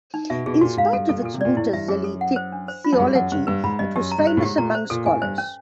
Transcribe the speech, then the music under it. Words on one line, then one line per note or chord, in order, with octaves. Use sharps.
In spite of its Mu'tazili theology it was famous among scholars.
D#4
B2 E5
B2 G#4
A#2 F#4
G#2 F5
G2 A4
G2 A4
A#2
A4
C3
A#2 D5
A2 E4
G2 E5
F#2 G#4
A4
F#5
C5
D4
C5
F4
F#2
G2 G#4
F#2 F#5
G2 C5
G2 B4
G#2 B5
G2 D#5
F#2 G4
A#5
G2
C5
A2
G#2 G4
A#2 A#5
C5
A#2 A4
A2 G#5
G2 C5
C#4